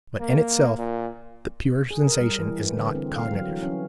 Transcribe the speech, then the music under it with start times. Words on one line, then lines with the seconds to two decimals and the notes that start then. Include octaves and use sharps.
But in itself the pure sensation is not cognitive.
0.20 A#3
0.79 A#2
1.91 G#4
2.07 A#4
2.20 G3
2.40 E3
2.77 D3
2.95 C4
3.16 F5
3.34 F#3
3.49 E3
3.62 C#4